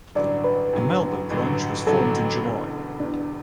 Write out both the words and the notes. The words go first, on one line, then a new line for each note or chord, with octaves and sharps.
A Melbourne branch was formed in July.
A1 G2 D3 F#3 D5
B4
A1 G2 D3 F#3
A1 G2 D3 F#3
A1 G2 D3 F#3 A4
E1 E2 D3
E1 E2 D3 D4